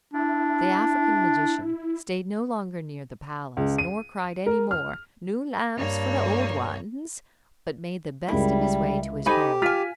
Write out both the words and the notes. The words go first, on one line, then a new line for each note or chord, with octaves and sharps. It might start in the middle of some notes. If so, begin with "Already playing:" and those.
The African magician stayed no longer near the palace, nor cried any more, "New lamps for old ones," but made the best of his way to his khan.
D4 E4
C#2
D#7
A#4
F6
G2 A#3 C#5
C#2 G3 G#3 E4 A#4
D#4 G4 A4 C5 G#5 B5
F4 G#5 F6 B6